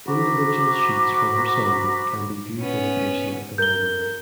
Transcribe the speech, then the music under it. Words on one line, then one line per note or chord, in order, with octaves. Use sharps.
Individual sheets from her songbook can be viewed in person at the library.
F#4 C5 A#5 B5 D6
B3 C#4
A#4 G6 G7